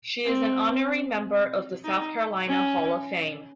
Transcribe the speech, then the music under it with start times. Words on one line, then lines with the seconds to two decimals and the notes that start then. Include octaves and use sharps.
She is an honorary member of the South Carolina Hall of Fame.
0.25 C4
1.85 D#4
2.48 C#4